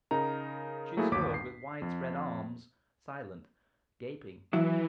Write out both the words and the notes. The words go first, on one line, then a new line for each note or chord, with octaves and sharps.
She stood with wide-spread arms, silent, gaping.
C#3 D#4 A#4 A#5
F#3 A3 A#3 E4 G#4
G1 D#2 C#5 D6 B6
C7
F2
E3 F#3 E4